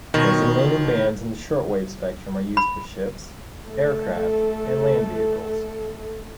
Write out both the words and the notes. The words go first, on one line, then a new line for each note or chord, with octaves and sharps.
Designated bands in the shortwave spectrum are used for ships, aircraft, and land vehicles.
B2 D#3 F3 C#5
B5
A3 A4